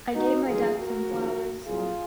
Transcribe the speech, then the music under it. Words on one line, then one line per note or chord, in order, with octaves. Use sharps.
I gave my dad some flowers.
D#4 F#4
F#1 F2 D#3 F#3 F4 G#4
F#4 A#4
D#2 C#3 F3
C2 A#2 F#3 F4 G#4